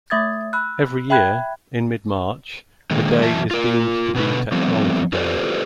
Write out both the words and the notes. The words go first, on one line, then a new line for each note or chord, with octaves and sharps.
Every year, in mid March, a day is deemed to be Technology Day.
A3 E5 D#6 G#6 A6
B5 E6 F#6
E5 G5 B5 F#6 G#6
A#2 D3 D#3 G#3
F#2 E3 E5 A5
F4 A#4
B2 D3 B4
F3 G3 A3 B3 C4
F4 G4 A4 B4 C5 D5